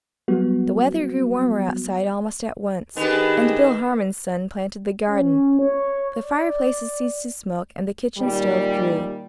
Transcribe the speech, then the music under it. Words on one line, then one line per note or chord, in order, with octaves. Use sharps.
The weather grew warmer outside almost at once, and Bill Harmon's son planted the garden. The fireplaces ceased to smoke and the kitchen stove drew.
F#3 G3 B3 F#4
D#3 B3 D4 G4 G#4
C#4
C#5
D5
A#2 D#3 G3